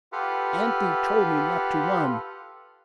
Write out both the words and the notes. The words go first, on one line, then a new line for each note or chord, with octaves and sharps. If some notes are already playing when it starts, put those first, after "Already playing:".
'Aunty told me not to run.
F4 G4 A4 B4 F5 F#5